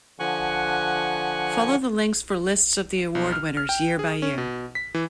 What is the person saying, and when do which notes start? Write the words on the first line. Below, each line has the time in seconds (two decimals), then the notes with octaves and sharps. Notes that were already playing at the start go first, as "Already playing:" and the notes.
Follow the links for lists of the award winners, year by year.
0.20 D3 F3 F#5 G#5 C#6 F#6
3.15 B1
3.32 F6
3.57 F6
3.69 G5
3.99 G#4
4.22 C#4
4.38 B2
4.75 B6
4.94 E3